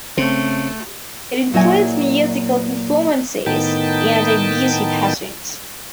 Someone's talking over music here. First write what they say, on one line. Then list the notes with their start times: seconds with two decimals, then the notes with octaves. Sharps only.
It includes musical performances and a beauty pageant.
0.17 F#1 C#3 A3 C4
1.53 A#2 F#3 E4 D#5 G#5
3.46 A2 D#3 B3 D#4 G5 A5